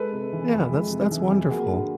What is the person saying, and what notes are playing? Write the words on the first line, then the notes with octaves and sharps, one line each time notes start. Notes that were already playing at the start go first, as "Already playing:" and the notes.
Yeah, that's that's wonderful.
Already playing: G#3 A4 B4
C3
E3
F2
G#3
C3
E3
F2
A#3 F#4 G#4
D3